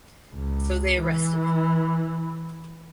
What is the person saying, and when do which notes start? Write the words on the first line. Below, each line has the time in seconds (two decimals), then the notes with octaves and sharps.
So they arrested him.
0.34 C#2
0.97 E3